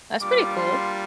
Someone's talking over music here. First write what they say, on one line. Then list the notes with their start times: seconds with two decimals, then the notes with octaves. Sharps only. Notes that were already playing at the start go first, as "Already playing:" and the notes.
That's pretty cool.
0.20 G3 A#3 D4 F4 D6
0.56 C6